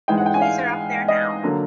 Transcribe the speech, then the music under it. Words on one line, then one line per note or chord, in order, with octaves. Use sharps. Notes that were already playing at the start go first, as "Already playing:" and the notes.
The police are up there now.
G#2 E3 G#3 G5
F#5
G5
G#5
F5
D#5
D3 F#3 A#3